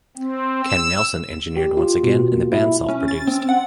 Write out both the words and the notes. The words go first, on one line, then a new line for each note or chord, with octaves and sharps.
Ken Nelson engineered once again and the band self produced.
C4
E6
G4
F4
B2
A#3
E4
C#4
A6
C4
F#5